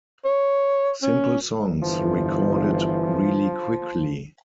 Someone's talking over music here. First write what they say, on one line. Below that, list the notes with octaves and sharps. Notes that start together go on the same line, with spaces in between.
Simple songs recorded really quickly.
C#5
C#4
G1 E3 F3